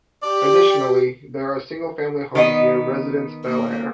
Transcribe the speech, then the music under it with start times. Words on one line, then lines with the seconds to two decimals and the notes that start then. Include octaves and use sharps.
Additionally there are single family homes near "Residence Bel-Air".
0.22 G4 D5
2.35 D#3 B3 D#5
3.45 A#3